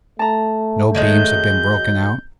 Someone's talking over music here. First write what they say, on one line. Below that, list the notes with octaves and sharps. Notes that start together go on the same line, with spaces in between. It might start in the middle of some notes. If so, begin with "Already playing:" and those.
No beams have been broken out.
A3 A5 A#5
D#3 F#3 G#3 G6